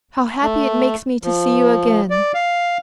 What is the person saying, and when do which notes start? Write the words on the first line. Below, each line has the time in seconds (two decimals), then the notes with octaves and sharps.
How happy it makes me to see you again!
0.42 A3
1.23 F3
2.10 D5
2.34 F5